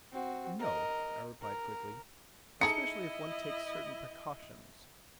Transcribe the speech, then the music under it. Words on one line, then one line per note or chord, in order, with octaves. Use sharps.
"No," I replied quickly, "especially if one takes certain precautions."
C4 F#4
A#4 D#5
A#4
D#4 E4 G#4 A4 D#5 C#7